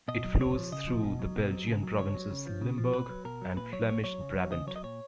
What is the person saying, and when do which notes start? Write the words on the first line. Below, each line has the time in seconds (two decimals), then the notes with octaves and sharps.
It flows through the Belgian provinces Limburg and Flemish Brabant.
0.08 B2 D#5
0.24 F#3
0.40 C#3 C#5
0.57 F3
0.72 C#3 D#5
0.87 F3
1.03 B2
1.19 F#3
1.36 B2
1.51 F#3
1.67 C#3
1.83 F#3
1.98 C#3 C#5
2.15 F#3
2.31 C#3
2.47 F3
2.62 C#3
2.78 F3
2.93 B2 B4
3.09 F#3
3.25 B2 A#4
3.42 F#3
3.56 A#2 B4
3.72 F#3 C#5
3.89 A#2 C#5
4.04 F#3 C#5
4.20 C#3
4.35 F#3
4.52 C#3 D#5
4.67 F#3 C#5
4.76 D#5
4.83 A#2 C#5